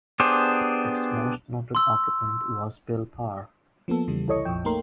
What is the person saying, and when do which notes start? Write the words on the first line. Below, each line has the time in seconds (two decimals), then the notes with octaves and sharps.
Its most noted occupant was Bill Parr.
0.20 B3 D4 G4 G#4 C5
1.75 C6 E6
3.88 F3 A#3 B3 A4
4.07 E2 C#3 E3 G3
4.27 C2 E4 A4 C#5 D#5 C#6
4.45 A#1 F2 F3 G5
4.65 A3 A#3 D#4 A#4 C6